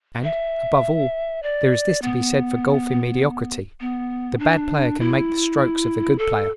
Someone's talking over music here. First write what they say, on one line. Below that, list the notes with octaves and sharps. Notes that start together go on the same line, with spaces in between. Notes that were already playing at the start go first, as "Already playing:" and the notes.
And, above all, there is this to be said for golfing mediocrity-- the bad player can make the strokes of the good player.
E5
D5
B3
B3
D4
E4
A4